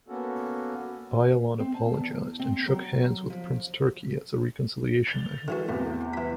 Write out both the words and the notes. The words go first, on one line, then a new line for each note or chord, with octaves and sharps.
Ayalon apologized and shook hands with Prince Turki as a reconciliation measure.
A#3 B3 C#4 F#4 A4
C4
A5
E2
C4
F#3
F3
A6 F7 G7
D3 E3 F#4
E2 A2 C3
E3 B5